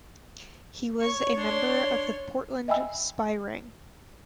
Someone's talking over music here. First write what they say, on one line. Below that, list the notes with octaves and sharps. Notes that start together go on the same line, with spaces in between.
He was a member of the Portland Spy Ring.
C#5 C#6
D4 C6
D#5 E5 G5 G#5 B5 E6